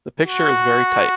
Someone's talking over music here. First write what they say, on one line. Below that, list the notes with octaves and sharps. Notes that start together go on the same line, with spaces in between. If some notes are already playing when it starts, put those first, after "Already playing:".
The picture is very tight.
F#4